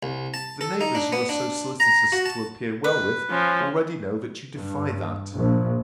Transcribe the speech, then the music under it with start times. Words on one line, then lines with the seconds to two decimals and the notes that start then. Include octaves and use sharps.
The neighbours you are so solicitous to appear well with, already know, that you defy that.
0.03 C2
0.34 A5
0.61 A4
0.81 D#4
0.95 D4
1.13 B3
1.29 D4
1.80 A#5
2.12 F#4
2.26 A5
2.84 B4
3.31 F3 C#4
4.57 G2
5.35 A#1